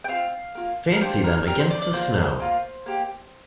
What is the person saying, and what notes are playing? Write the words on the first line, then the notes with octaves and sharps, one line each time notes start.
Fancy them against the snow!
G5
C4 F4 F5
A#3 F4
A#4
A#3 D4 G4 C5
A#4
C4 G4 A#4
C5
D5
D5
A#3 F4 C5
A#3 F4
A#3 G4